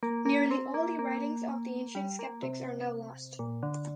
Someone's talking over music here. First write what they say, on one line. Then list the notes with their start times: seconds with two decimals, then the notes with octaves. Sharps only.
Nearly all the writings of the ancient skeptics are now lost.
0.03 A#3
0.25 A#3
0.51 C4
0.74 A#3
0.99 A#3
1.95 G3
2.19 A#3
2.43 C3
3.39 A#2
3.63 D3